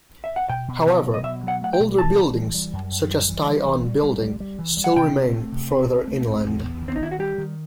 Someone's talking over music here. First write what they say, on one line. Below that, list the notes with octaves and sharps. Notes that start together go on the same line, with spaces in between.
However, older buildings such as Tai On Building still remain further inland.
E5
F#5
B2 G5
B2
B2
F#3
D#5
B2 E5
F#3
F#5
A3 F#5
G5
B2
E3 A5
G3
E3
G3
F#2
F#2
G3
E3
G3
E3
G3
G3
G3
G3
E3
G3
F#5
C3 G5
C4
A3
C3
C4
C4
A3
C4
E2
B3
D#3
C4
D#4
D#3 E4
F#4
G3 G4
D#3